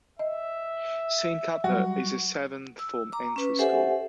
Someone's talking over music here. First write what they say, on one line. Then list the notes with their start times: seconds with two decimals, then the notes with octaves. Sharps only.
Saint Cuthbert's is a seven form entry school.
0.19 D#5 E5
1.64 F#3 G3 F#4
2.79 E6
3.12 A#5 D6
3.36 C#4 B4
3.58 G4 A4 C5 E5 F#5 G#5